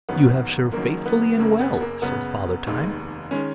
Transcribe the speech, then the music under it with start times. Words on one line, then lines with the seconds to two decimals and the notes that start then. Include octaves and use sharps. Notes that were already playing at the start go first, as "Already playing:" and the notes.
"You have served faithfully and well," said Father Time.
0.09 F#1 F#2 D#3 F#3 B3
0.73 F#1 F#2 D#3 F#3 A#3
1.06 B3
1.37 F#1 F#2 C#3 A#3
1.59 B3
1.81 A#3
2.02 F#1 F#2 C#3 B3
2.67 F1 D#2 D#3 G#3
3.31 D#3 G#3 C#4